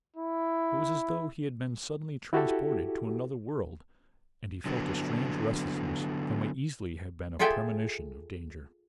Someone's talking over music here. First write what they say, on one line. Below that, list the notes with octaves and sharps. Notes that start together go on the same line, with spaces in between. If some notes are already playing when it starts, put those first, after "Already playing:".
It was as though he had been suddenly transported to another world and he felt a strange restlessness that might easily have been a premonition of danger.
E4
E4 F#4 G4 A4
D3 F#3 B3
F4 G#4 A4 E5 G5 G#5